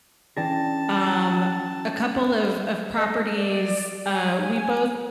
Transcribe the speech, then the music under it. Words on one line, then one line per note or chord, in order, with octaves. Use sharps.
um, a couple of of properties, uh, we both
E3 C#4 D4 G#4 G5 A5 A#6
D#5
D5
G#5